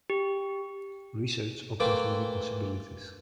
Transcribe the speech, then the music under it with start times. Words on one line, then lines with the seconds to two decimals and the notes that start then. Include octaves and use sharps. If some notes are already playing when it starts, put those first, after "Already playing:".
Research opens many possibilities.
0.10 G4
1.80 E3 A3 A#3 C5 G5 D6